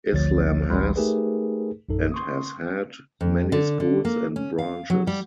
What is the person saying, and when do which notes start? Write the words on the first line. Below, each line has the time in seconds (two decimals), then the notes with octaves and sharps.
Islam has, and has had, many schools and branches.
0.12 A1 D2 D3 F3 C#5 A6
0.70 A1 D2 E3 G3 B5 C6
0.96 A3 D#4 G4 G#4 A#4 B4
1.89 A#1 F#2 D#4 A4
2.12 C6 C#6 D#6
3.21 F2
3.52 D3
3.80 D3
4.05 A#3
4.36 C#4
4.58 F5
4.90 F#3
5.07 G3